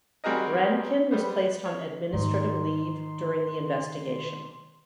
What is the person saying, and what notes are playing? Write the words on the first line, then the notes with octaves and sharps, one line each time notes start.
Rankin was placed on administrative leave during the investigation.
G3 C4 F#4 G#4 A#4 D#5
G3 B3 C5
C#5
G#2 D#3 C6